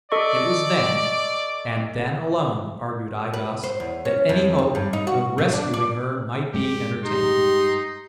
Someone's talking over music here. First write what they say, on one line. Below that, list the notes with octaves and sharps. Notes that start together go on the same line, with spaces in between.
It was then, and then alone, argued I-Gos, that any hope of rescuing her might be entertained.
A4 D5 D#5 C#6
B4
C5
E2
C#4
F2
D#2
G2
D#4
F#4
B2
D4
D5
G2 G#3 G4
D#4 G4 C6